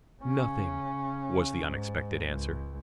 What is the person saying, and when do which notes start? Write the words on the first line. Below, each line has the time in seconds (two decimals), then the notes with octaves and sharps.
"Nothing," was the unexpected answer.
0.23 C#3 C#4
1.65 G#2
2.31 C#2